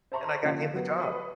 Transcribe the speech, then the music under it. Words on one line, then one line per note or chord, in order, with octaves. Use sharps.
and I got him the job.
C5 E5 A5 A#5 C6 C#6
D3 F3 A#3 C#4
F#3 B3
B4 D#6